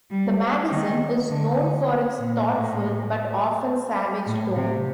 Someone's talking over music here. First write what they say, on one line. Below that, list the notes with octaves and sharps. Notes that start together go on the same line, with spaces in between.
The magazine is known for its thoughtful but often savage tone.
G3
D#3
D3
D3
A#2
A2
A2
C3